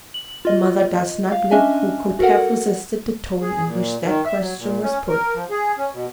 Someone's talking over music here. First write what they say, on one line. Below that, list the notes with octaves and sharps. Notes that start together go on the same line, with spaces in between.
The mother does not live who could have resisted the tone in which that question was put.
F#7
F4 D#5
F5
C#4 D4 D#5 E5 G#5
F#4 A4 A#4 F#5
G#4
A#2
D#3
E5
F#3
A#2
C#4
A#4
F3
G#4
C#4
B2